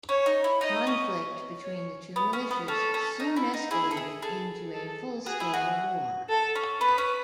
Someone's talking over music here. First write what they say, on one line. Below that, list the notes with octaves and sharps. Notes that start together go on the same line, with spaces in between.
Conflict between the two militias soon escalated into a full-scale war.
C#4 C#5
D#4
E4
D#4 D#5
C#4
C#5
B3
C#4
B3
C#4 A4
C#4
D#4
E4
D#4
E4 G#4
A4
G#4
G#4 A4
A4
F#4 G#4
E4
F#4
A4
C#4
B3 B4
C#4